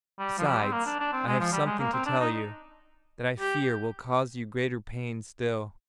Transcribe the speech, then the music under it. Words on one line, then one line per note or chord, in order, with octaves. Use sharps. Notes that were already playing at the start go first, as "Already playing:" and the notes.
Besides, I have something to tell you, that I fear will cause you greater pain still.
G3
F3
G3
C4
A#3
D4
D4
C4
G#3
F3
G3
G#3
A#3
C4
D4
D#4
G4